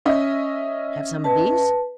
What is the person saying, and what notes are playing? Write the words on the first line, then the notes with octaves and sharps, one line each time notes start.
"Have some of these?"
C#4 D#5 E5
B4 A5